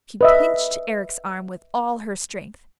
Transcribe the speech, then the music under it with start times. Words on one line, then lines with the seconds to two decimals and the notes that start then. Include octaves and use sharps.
She pinched Eric's arm with all her strength.
0.21 B4 D#5 E5